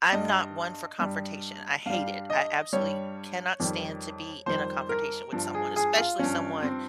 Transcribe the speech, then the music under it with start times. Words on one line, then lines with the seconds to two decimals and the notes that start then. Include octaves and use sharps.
I'm not one for confrontation. I hate it. I absolutely cannot stand to be in a confrontation with someone, especially someone
0.12 G2 G3 D#5
0.99 G2 G3
1.86 G2 G3 F5
2.30 D#5
2.73 G2 G3 C#5
3.60 F2 D#3 G3
4.46 F2 D#3 G3 C5
4.89 A#4
5.33 G2 F3
5.55 G#4
5.76 G#4
5.98 F4
6.19 G2 F3 C#4
6.63 C4